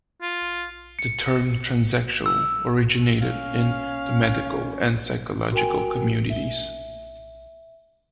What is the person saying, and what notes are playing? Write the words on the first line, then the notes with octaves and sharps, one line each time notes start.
The term "transsexual" originated in the medical and psychological communities.
F4
C#7
E6
C#4 F5
F#4 A#4 G5 G#5
E5 G7